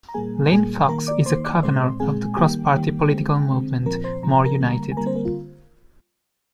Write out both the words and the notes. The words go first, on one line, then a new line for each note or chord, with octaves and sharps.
Lane Fox is a Covenor of the cross-party political movement, More United.
A#5
A#2 G3 A#3 G#4 G#5
A#2 G3 A#3 G#4 G#5
D#3 A#3 A#4 A#5
D5 D6
D#3 A#3 C5 C6
D5 D6
A#2 G#3 C4 C5 C6
A#2 G#3 C4 G#4 G#5
G#5
D#3 G3 A#3 G4 G5
D#3 G3 A#3
D3 G#3 C4
D3 G#3 C4
A#2 F3 C4 A#4 A#5
C5 C6
A#2 F3 C4 A#5
G#5
A#4 A#5
D3 G3 A#3
G#5
D3 G3 A#3 A#4 A#5
C4 C5
A#3 A#4
F4